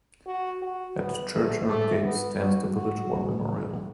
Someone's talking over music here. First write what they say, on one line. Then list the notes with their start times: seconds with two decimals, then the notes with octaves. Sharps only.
At the churchyard gate stands the village war memorial.
0.26 F#4
0.62 F#4
0.97 B3
1.32 A3
1.68 A3
2.04 B3
2.39 F#4
2.75 F#4